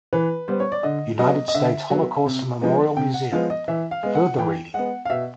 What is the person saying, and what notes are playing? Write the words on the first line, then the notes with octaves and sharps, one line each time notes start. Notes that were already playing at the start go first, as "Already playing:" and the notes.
United States Holocaust Memorial Museum: Further Reading.
E3 B4
G3 B3 C5
C#5
D5
D3 D#5
F#3 B3 D#5
D#5
D3 E5
F#3 B3
C3
F3 G#3 B3
C3 G5
F#5
F3 G#3 B3 F5
D#5
E3 E5
F5
G#3 B3
F#5
E3 G5
G#3 B3 F#5
F5
B2 E5